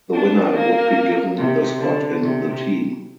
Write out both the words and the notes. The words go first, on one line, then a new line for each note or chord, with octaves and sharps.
The winner would be given the spot in the team.
D4
A#3
C3
D3
C3